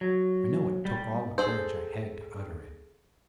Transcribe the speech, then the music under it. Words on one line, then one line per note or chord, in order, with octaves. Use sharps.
I know it took all the courage I had to utter it.
F#3
G3
G#4 A4 C5